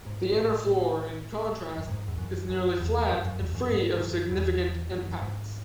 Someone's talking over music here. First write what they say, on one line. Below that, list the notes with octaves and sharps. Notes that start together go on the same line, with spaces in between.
The inner floor, in contrast, is nearly flat and free of significant impacts.
G#2
A2
A2
F#2
G#2
E2
F#2
F#2
E2
F#2
F#2
E2
F#2
G#2
G#2
F#2
E2
F#2
F#2
G#2